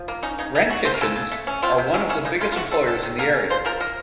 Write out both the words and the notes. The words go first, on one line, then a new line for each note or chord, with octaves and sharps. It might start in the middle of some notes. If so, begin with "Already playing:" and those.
Wren Kitchens are one of the biggest employers in the area.
Already playing: F3
A#3
C#4 D#4
C#3 D#4
C#3 D#4
A3 F#4
C4 C5
A#4
C#3 A4
C#3
A3
C#4
C4 F4
C3
F#3 C#4
A3 C#4
C#3 D#4
C#3 F4
F4
A3 F#4
C4 A4
D#3 A4
D#3
A#3 A#4
C#4
F3 C5
F3 A#4
A#3 A#4